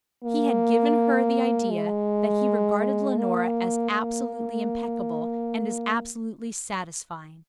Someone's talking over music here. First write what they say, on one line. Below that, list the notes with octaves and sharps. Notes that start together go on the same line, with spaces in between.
He had given her the idea that he regarded Leonora as absolutely impeccable and as absolutely satisfying.
A#3
G#3
A#3
A#3